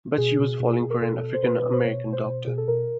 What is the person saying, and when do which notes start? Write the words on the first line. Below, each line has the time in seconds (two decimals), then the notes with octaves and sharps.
But she was falling for an African-American doctor.
0.18 B2 G#4
0.39 B2
0.60 B2
0.81 B2
0.90 A#4
1.01 B2 A4
1.23 B2
1.34 C5
1.43 B2 B4
1.63 B2
1.73 C5
1.84 B2 C#5
2.05 B2
2.13 C5
2.26 B2
2.47 B2 G#4
2.58 A4
2.68 B2 A#4